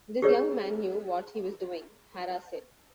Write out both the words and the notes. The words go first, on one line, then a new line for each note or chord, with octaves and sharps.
"This young man knew what he was doing," Hara said.
G4 G#4 C#5